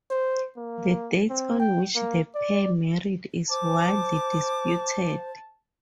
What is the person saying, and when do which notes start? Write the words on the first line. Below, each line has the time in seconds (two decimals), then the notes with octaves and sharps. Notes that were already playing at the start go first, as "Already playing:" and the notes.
The dates on which the pair married is widely disputed.
0.10 C5
0.56 A#3
1.30 C4
1.60 G5
1.95 A#3
2.35 D5
3.50 C5 A5 D6